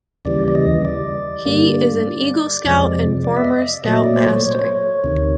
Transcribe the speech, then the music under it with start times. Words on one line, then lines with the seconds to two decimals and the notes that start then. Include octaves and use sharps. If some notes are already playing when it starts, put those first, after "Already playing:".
He is an Eagle Scout and former Scoutmaster.
0.25 D#2 C#3 E3 G3 D5
0.48 D5
0.55 D#5
0.85 D5
1.45 G2 D3 G3 A#3
2.65 F2 C3 F3 G#3
3.24 D5
3.37 E5
3.44 D#5
3.84 A#2 F#3 A3 D#5
4.04 D5
4.16 C5
4.25 C#5
4.45 C#5
4.51 C5
4.59 C#5
5.04 D2 C3 D#3